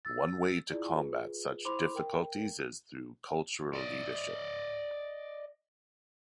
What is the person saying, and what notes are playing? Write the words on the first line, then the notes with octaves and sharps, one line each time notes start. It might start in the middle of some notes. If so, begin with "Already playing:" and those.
One way to combat such difficulties is through cultural leadership.
E6 A6
E4 F4 G#4 D5
F4 G#4 B4
E4 C5 B5 C6 D6 F7
A#4 G5
D5 D#5